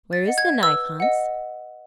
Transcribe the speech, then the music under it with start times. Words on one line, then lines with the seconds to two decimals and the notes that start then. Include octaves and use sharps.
'Where is the knife, Hans?'
0.13 A6
0.26 D#5 F#5
0.38 G#6
0.63 B4 E6
1.00 D#5 F#5